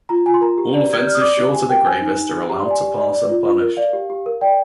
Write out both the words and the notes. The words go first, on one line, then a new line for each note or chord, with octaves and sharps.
All offenses short of the gravest are allowed to pass unpunished.
F4 A#5
F4 G#5
C6
A#4 A#5
G4
D5
G4 G#6
G6
D5 F6
D#6
D5 D6
G4
G4 G#5
A#4 G5
C5 G#5
D#4
D#4
G#4
G4 A#5
C6
D5
G#5
G4
D5
D5
F4
F4
A#4
D5 F5
G4
G4
A#4
D5 G5